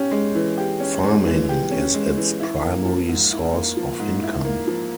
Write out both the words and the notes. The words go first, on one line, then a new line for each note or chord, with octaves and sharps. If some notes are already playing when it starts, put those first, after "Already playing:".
Farming is its primary source of income.
Already playing: C#4 G4
G#3
E3
G4
C#4
G#3
E3
G4
C#4
G#3
E3
E4
A#3
F3
G#2
E4
A#3
F3
G#2
E4
A#3
F3